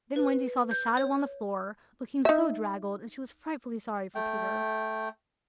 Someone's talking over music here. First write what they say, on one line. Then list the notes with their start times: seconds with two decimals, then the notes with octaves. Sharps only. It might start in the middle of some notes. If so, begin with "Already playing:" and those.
Then Wendy saw the shadow on the floor, looking so draggled, and she was frightfully sorry for Peter.
0.16 B4
0.71 G6
0.97 C#5
2.25 D#4 E5
4.15 A3 G5